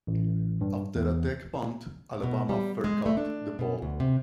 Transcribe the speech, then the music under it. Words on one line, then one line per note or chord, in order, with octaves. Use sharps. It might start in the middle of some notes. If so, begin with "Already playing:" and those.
After a Tech punt, Alabama fair-caught the ball.
A1
G2
E2
B2
G3
G#3
A3
D4
B2
D2
C3